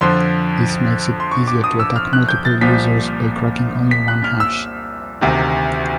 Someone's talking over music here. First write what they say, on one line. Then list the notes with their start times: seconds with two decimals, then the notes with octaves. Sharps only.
This makes it easier to attack multiple users by cracking only one hash.
0.01 F2 D3 F3 C6
1.20 C6
1.31 C#6
1.48 D6
1.64 D#6
1.80 E6
1.96 F6
2.13 F#6
2.29 G6
2.45 A6
2.61 C2 A#2 F3 B6
3.91 B6
4.08 F#6
4.24 F6
4.40 E6
5.21 D2 C3 D#3